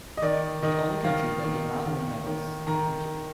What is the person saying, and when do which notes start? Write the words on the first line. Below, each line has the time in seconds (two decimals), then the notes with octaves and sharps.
The only country that did not win medals-Egypt.
0.17 D#5
0.22 D#3 D5
0.63 D#3 D#5
1.04 D#3 F5
1.44 D#3
1.86 D#3
2.27 D#3
2.67 D#3 A#5